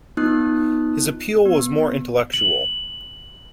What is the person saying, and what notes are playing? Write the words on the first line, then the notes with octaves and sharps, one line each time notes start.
His appeal was more intellectual.
B3 D#4 F4 D#6 F#6
B3
F#7